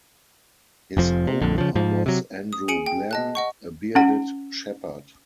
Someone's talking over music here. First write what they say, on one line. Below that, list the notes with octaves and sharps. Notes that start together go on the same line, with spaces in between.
His 'owner' was Andrew Glen, a bearded shepherd.
F1 F2 F3
C3
A#1 F2 D3
C#3 F3
G#2 F3
C3 F#3
D#6
G#4 G#5 C#7 D7 F#7
G5
D#5 A5 F#6
D#5 F#5 C#6
C#4 F#5